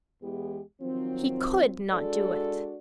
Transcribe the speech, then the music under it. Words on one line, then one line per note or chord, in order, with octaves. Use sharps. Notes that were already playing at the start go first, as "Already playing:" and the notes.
He COULD not do it!
E2 E3 G#3 B3 G4 G#4
D#3 F3 F#3 C4
G#3 D4 F#4 A4 D5